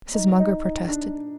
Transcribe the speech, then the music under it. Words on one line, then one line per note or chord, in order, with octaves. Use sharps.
Mrs. Munger protested.
D#4
D#4
D#4
D4